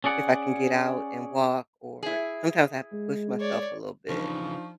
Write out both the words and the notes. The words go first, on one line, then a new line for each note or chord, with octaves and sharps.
if I can get out and walk or sometimes I have to push myself a little bit,
C#4 G#4 D5 F#5
E4 G#4
G#3
C#5 D5
C#3 E3 F3 D4 D#4 C#6